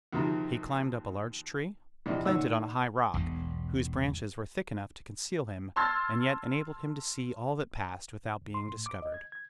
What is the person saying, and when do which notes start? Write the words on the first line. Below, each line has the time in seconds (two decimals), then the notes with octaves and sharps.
He climbed up a large tree, planted on a high rock, whose branches were thick enough to conceal him, and yet enabled him to see all that passed without being discovered.
0.13 D#2 C3 D#3 F3 F#4 A#5
2.06 A#1 C3 E3 D4 D#5
2.25 A#2 D#3 C#5 F#5 E6
3.14 E1 B1
5.76 A5 C6 E6 F6 G#6 A6
8.42 D2
8.54 C6
8.69 A2
8.86 D6
9.02 D#5
9.14 G#6
9.32 G#6